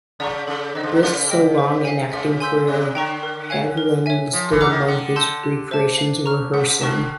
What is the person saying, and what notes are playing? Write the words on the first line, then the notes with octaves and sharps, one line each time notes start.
With so long an acting career Haviland listed among his recreations "rehearsing".
C#3 D5 F#5 A#5 C#6
C#3 A4
D3 C5 D#5
C#3
D3
C#3 A#4
D#5 G5
C5
F5 G#5
C#3 E5
G#5 C6 E6 G6
C3 D5
D3 G5 A#5 C#6
A#4
C#5 F5 G#5
A#4
C#5 E5 G#5
F3 C#5
E3
F#5 A#5 D6 F6
D#3
D3 F#5
A5 C6 E6 G6
G4
C5 E5 A5
F5
A#5 C#6 F6
C#3 F#5
D3 A5 C#6 F6